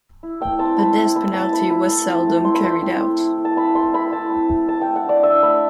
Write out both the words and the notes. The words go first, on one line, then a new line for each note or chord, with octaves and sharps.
The death penalty was seldom carried out.
E4
A3 G5
C4 A5
A3 B5
E4
A3 B5
C4 A5
A3 B5
E4 B5
A3 A5
C4
A3
E4 C6
B5
A3 C6
C4
A3
E4
A3
A5
C4 B5
A3 C6
E4 B5
A3 A5
C4
A3
A3 A5
A3 G5
F#5
D4 D5
D4 E5
A3 B5